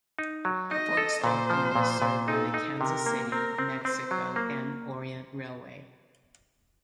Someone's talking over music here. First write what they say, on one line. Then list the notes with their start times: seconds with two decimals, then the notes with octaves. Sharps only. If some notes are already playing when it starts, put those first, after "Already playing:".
Fort Stockton was served by the Kansas City, Mexico and Orient Railway.
0.19 D#4
0.45 F#3
0.71 D#4 D#5
0.97 A4
1.24 A#2 C5
1.50 F3
1.75 A#2
2.02 A#2
2.28 D#4 A4
2.54 D#4
2.80 C3 A#4
3.06 A#3
3.32 C4 A#4
3.58 C4
3.84 C4 C5
4.11 F#3
4.36 A#3